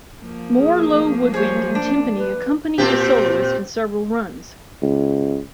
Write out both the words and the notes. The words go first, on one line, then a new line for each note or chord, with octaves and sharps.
More low woodwind and timpani accompany the soloist in several runs.
F3 A#3
G#4
G#4 C5 C#5
D4
B4
A#2 C4 G4
C#2